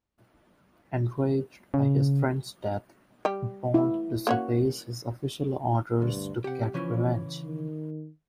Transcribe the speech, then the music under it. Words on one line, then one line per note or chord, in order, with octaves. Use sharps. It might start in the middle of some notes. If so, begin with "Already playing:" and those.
Enraged by his friend's death, Bond disobeys his official orders to get revenge.
C#3
G3 G4
E4
A#3 C#4 F#4
D2 G2
C3 G4 F#5
C#3 E3 F3 C#4
D#3